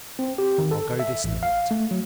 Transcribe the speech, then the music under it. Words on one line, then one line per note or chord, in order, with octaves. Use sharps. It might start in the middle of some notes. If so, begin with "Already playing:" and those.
I'll go this minute.'
C4
G4
D#3
A4
E5
A1
F5
A3
F#3